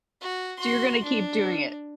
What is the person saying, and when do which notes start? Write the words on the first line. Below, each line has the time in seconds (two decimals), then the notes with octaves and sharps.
So, you're gonna keep doing it.
0.21 F#4
0.58 F#4 C6
1.04 D4